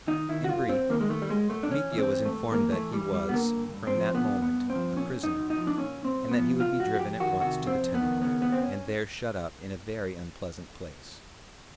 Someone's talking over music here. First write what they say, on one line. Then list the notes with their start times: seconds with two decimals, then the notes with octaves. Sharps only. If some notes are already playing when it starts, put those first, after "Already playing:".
In brief, Mitya was informed that he was, from that moment, a prisoner, and that he would be driven at once to the town, and there shut up in a very unpleasant place.
0.07 D#3 D#4
0.29 D#3 E4
0.44 F#4
0.49 F#2 F4
0.69 F#2 C4
0.89 D#3 A#3
1.01 G#3
1.09 D#3 A3
1.22 G3
1.29 F#2 G#3
1.50 F#2 A3
1.63 D4
1.70 E3 C#4
1.92 E3
1.98 C4
2.11 G2
2.25 A3
2.32 G2
2.52 E3 A#3
2.72 E3 A3
2.93 G2 G3
3.13 G2 G3
3.29 B3
3.33 D3 A#3
3.54 G2
3.74 G2
3.87 C4
3.94 F3
4.15 D3 B3
4.35 G2
4.42 B3
4.56 G2
4.70 C4
4.75 F3
4.96 A#2 C#4
5.16 B1
5.23 D#4
5.37 B1
5.50 D#4
5.58 F3
5.67 D4
5.77 A#2 C#4
5.98 B1
6.05 C4
6.18 B1
6.31 B3
6.38 F3
6.59 C3 F4
6.79 F2 F#4
6.95 F#4
6.99 F2 G4
7.20 D#3 F#4
7.40 C3 F#4
7.61 F2
7.67 C4
7.81 F2
7.94 B3
8.01 D#3
8.22 C#3 B3
8.42 D#2 B3
8.52 C4
8.63 C#4